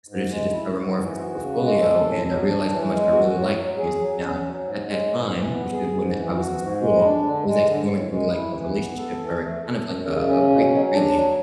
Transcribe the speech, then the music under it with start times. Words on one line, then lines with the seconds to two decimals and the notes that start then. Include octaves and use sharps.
I started to discover more of his portfolio and I realized how much I really liked his music, now at that time, which in when I was in school, I was actually going through like a relationship where it's kind of like a a breakup really,
0.08 G#2
0.29 G#3
0.51 E4
0.72 G#2
0.94 E3
1.17 F#4
1.38 C#3
1.59 G#3
1.81 A4
2.03 A2
2.25 F#3
2.46 D4
2.68 E3
2.90 G#3
3.12 F#4
3.33 A2
3.55 F#3
3.77 G#4
3.99 F#3
4.20 C#4
4.42 F#3
4.63 G#2
4.85 G#3
5.07 G#2
5.29 E3
5.51 B3
5.72 G#4
5.93 G#2
6.15 E3
6.38 F#4
6.59 G#2
6.80 G#3
7.03 D4
7.24 D3
7.46 G#3
7.67 D3
7.89 A2
8.10 G#3
8.32 E4
8.54 E3
8.75 B3
8.97 A4
9.19 E3
9.41 A3
9.63 A4
9.84 F#2
10.06 C#3
10.28 C#4
10.50 B2
10.71 F#3
10.93 D4
11.14 F#3